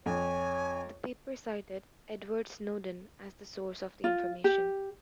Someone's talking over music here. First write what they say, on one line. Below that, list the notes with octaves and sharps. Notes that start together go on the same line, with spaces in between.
The paper cited Edward Snowden as the source of the information.
F2 C#5 G#5
F4
G4